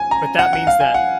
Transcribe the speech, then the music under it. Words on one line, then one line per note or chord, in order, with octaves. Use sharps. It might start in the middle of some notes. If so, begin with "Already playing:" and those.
but that means that
Already playing: G#5
A#5
F#5
F#5
F5
G#5
F#5